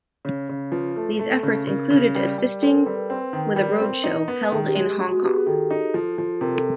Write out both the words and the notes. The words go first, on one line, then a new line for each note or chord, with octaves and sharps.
These efforts included assisting with a road show held in Hong Kong.
C#3 C#5
C#3
F3 B4
A3
A3
C#3
C#3 A#4
C#3
G3
G3
C4 A4
A#4
G3 B4
B4
C4 B4
B4
D#3 B4
A#4
G3 A#4
C4
D#4
B3
D#3 G#4
G4
G#3
G#4
G#3
F#4
B3 G4
G#4
D#3 A4
D#4
F3
F3
C3 A#4
A4